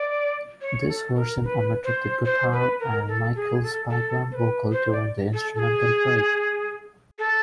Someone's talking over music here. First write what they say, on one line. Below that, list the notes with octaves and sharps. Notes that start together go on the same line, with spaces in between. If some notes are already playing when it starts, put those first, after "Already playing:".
This version omitted the guitar and Michael's background vocals during the instrumental break.
Already playing: D5
C#5
A4
A#4
B4
C5
C5
B4
A#4
A4
G#4
A4
A4
C5
B4
C5
D5
A4
A4
G#4
A4